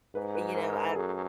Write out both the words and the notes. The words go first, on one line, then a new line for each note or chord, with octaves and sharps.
and you know, I
G#2 B4
B4
A#4
A#4
A4
F#2 G#4